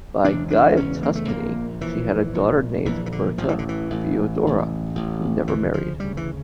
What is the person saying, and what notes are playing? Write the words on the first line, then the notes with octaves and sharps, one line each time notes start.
By Guy of Tuscany she had a daughter named Berta Theodora, who never married.
E1 E2 C#3 D4
D4
E1 E2 C#3 C#4
A#3
A3
A#1 A#2 A#3
A#1 A#2 E3
A#1 A#2
A#1 A#2 E3
E3
D3
A1 A2 F3
E3
D3
E3
A1 A2
A1 A2
A1 A2
D2 C#3 E3
F3
D2 C#3 G3
E3